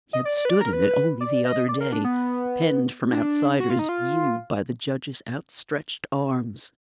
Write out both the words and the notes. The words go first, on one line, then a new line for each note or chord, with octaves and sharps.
She had stood in it only the other day, penned from outsiders' view by the judge's outstretched arms.
D#5
D5
D5
B4
D5
A#4
B4
D5
D#5
D5
A#4
D4
B3
D4
F#4
F4
D#4
F4